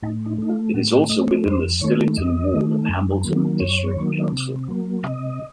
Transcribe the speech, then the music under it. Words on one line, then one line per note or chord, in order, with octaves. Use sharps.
It is also within the Stillington ward of Hambleton District Council.
A2 D#4
D#4
A3 D#4
F4
A2 F#4
F#4
A3 D#5
C#5
F2 C5
D#3 A3 C#5
F2 D#5
D#3 A3
F#2
D#3 F#3 A#3
F#2 C#5
D#3 F#3 A#3
C3
F#3 A#3
C3 D#5